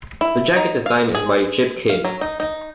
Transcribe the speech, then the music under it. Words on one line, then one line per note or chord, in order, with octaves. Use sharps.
The jacket design is by Chip Kidd.
E4
D#4
F5
G#4
F5
F#3
D#4
D#4